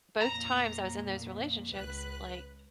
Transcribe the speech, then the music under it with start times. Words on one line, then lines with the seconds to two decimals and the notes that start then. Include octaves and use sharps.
both times I was in those relationships, like,
0.21 F2 A#2 A#5
1.74 C#2 B4 F#6